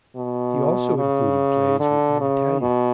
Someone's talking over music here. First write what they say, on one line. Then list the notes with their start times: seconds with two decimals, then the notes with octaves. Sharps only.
He also included plays written in Italian.
0.16 B2
0.98 C#3
1.80 D3
2.20 C#3
2.61 B2